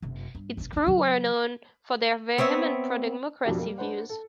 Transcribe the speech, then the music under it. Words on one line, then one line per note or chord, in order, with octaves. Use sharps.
Its crew were known for their vehement pro-democracy views.
F#1 C3
G2
F1 F2
E2 D4
C#3 F#3
B3 C4 C#5 E5
F2 B2 D4 F#4 G4
G3 A#3
D4 B4 C5 F#5
A4